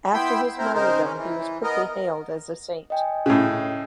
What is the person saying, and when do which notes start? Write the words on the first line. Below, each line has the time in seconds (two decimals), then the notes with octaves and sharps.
After his martyrdom, he was quickly hailed as a saint.
0.14 B3 E4 G5 B5 C6 E6
0.58 C4 E4 A#4 C5
0.74 C#3 G#3 D#4 A#4 C5
1.04 C#4
1.16 E3
1.63 B3 A#4 D#5
2.90 D#5 G5 G#5
3.26 A2 C#3